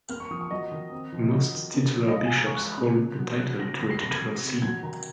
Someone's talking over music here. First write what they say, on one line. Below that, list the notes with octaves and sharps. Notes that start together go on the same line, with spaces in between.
Most titular bishops hold the title to a titular see.
A#3 F6
C#6
F3 D#6
C#6
F#3 D#5
D#3
C4
F3
F#3
D#3
A#3
F3
D#5
D#4 F5
G#5
G#3 A#5
C#6
G#3 F#6
C#3
A#3
F#3
F#3 F#6
C#3 A#6
D#3 A#6
C7
C3 A#6
G#6
F#3
C3
F#3 G#6
D#3 A#5